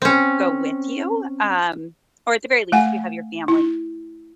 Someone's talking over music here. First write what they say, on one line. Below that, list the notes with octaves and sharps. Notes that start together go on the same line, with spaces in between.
go with you, um, or at the very least, you have your family,
C4 C#4
A3 F#5 G#5
E4